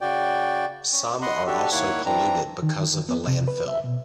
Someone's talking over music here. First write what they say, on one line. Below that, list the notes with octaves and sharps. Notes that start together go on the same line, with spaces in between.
Some are also polluted because of the landfill.
C#3 F#4 D5 G5
C#4
D#5 F#5 B5 C6
D4 F#4 G4 A4
D#2 A#3 E4 C#5 F#5 B5
E3 C4 D4 A#5
D#3
B3
C3
B4
E5
B2